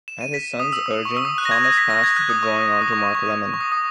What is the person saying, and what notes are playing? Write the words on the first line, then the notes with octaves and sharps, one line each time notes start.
At his son's urging Thomas passed the drawing on to Mark Lemon.
E7
D#7
B6
D#6
E6
D#6
C#6
E6
D#6
F#6
A#6
G#6
A#6
B6
A#6
G#6
F#6
D#6
C#6
D#6
C#6
C#6
C#6
D#6
D#6